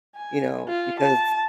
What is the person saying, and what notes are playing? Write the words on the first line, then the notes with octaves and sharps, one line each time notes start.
you know, because
G#5
F4
A5